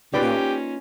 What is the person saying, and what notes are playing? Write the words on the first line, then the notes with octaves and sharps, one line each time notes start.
You know
A#3 C#4 D#4 F4 G4 B4 D5